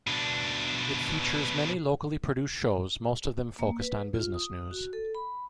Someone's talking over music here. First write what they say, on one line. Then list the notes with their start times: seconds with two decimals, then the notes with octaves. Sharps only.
It features many locally produced shows, most of them focused on business news.
0.07 B2 D4
3.59 A#3
3.79 B4
4.15 F4
4.34 D#6
4.71 F#4
4.93 A4
5.15 B5